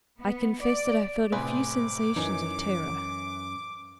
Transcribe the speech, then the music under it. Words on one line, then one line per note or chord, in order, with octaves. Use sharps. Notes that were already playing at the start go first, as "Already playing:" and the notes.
I confess that I felt a few sensations of terror.
B3
D5
A2 C3 G#4 B4 C5 D6
F#2 E3 D#4